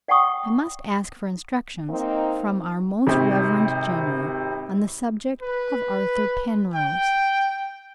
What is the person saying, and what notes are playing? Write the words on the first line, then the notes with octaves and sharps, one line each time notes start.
I must ask for instructions, from our Most Reverend General, on the subject of Arthur Penrose.
D5 F#5 G5 A5 C#6 D#6
A#3 C4 D#4
G#1 C3
B4
G5